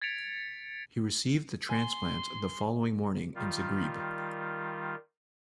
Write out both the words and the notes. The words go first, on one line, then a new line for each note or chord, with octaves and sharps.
He received the transplant the following morning in Zagreb.
G#6 A6 B6 C#7 D7 F7
G#5 C6
D#3 G3 F4